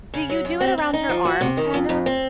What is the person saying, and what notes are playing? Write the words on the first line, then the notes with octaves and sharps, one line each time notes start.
Do you do it around your arms, kind of?
C#3
F#3
F#2
C4
C4
D#4
F3
F#4
C3
D#3
F2
F2
C4